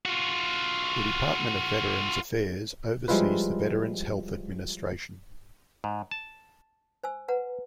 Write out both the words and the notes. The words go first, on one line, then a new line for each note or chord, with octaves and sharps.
The Department of Veterans Affairs oversees the Veterans Health Administration.
F4 F#4
F3 G3 G#3 E4 F4 B4
G#2
A5
C5 G#5 E6
B4 F#5 A#5